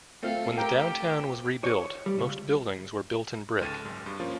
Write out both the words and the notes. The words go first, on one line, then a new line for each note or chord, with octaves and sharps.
When the downtown was rebuilt most buildings were built in brick.
A3 C4 F4 A4 F5
G4 A#4 G5
C#5
G3
C#2
C#2 G#2 A4 F6 A6 D#7
G#1 F#2
G2
F3 A#3 C#4 F4